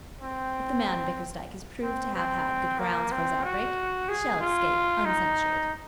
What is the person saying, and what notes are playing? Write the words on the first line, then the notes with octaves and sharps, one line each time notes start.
If the man Bickersdyke is proved to have had good grounds for his outbreak, he shall escape uncensured.
C4
C4
C4
A#3
C4
F#4
G#4
F4
D#4